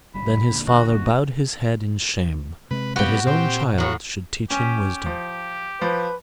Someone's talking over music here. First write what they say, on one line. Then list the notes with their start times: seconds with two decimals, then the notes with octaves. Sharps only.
Then his father bowed his head in shame that his own child should teach him wisdom.
0.14 F#1 G3 B5
0.49 E1 A#2 D3
0.67 F#4
0.88 F#4
2.71 C3 G#3 B4
2.96 G3 B3 F#4 G5
3.27 A#2 C4 G4
3.78 A2 F#3 F#4
4.50 C#4 G4
5.06 F3
5.81 F3 B4